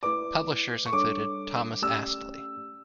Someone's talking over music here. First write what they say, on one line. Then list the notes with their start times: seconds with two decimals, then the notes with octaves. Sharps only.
Publishers included Thomas Astley.
0.03 A3 E4 B4 D5 D6
0.86 C#6
0.92 G3 D4 A4 C#5 D6
1.82 A3 C#4 G4 D5 E6